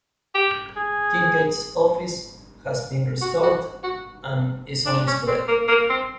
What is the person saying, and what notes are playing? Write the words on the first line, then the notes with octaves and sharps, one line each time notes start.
Kinkaid's office has been restored and is on display.
G4
G#4
F#4
F#4
F#4
D4
C#4
C4
A#3
A#3
C4